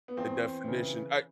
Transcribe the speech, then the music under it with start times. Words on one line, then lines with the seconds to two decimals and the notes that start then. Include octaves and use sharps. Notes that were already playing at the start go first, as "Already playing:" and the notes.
the definition I
0.08 B3
0.17 E2 C4
0.65 C#3 E3